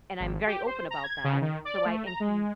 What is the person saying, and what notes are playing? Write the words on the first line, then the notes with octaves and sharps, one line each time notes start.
and I'm very open about that. So I and he
G#1
G4
C5
A#5
G#6
C#3
D#3
D5
A3
A#5
G#3